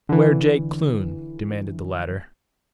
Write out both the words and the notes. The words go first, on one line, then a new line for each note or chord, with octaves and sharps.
"Where Jake Kloon?" demanded the latter.
D3 E3